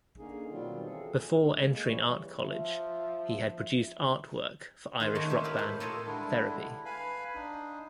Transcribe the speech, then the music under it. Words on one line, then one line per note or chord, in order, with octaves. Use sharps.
Before entering art college, he had produced art work for Irish rock band Therapy?
D3 A#3 C#4 D#4 G#4
B2 D#3 F#3 G3 C4 F4
E3 G#4 A4
A2 C#4
G#3 A#3
E3 G3 C#5
F3 E5
D#3 F4 G#4
A3 C#4 D#4 F#4
F#4 G4 A#4 C5 C#5 E5
E4 F4 G4 A#4 B4
A2
F4 A4 A#4 C#5 D#5
D3 G3 G#3 D4 E4
B4 F5 G#5 B5
D4 D#4